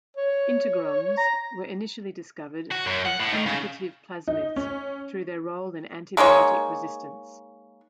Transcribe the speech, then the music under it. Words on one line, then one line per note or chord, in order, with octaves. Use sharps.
Integrons were initially discovered on conjugative plasmids through their role in antibiotic resistance.
C#5
A#5
F#4
F#2
F#5
A2
D#3
C#3
D#4
C#4
G#3 A#3 D#4 C#5